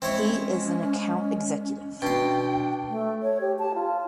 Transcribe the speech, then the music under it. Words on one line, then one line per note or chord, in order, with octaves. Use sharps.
He is an account executive.
G#3 C4 C#4 E4 C#5
B2 D4 G5 C6
A3
C#5
G4
A5
F4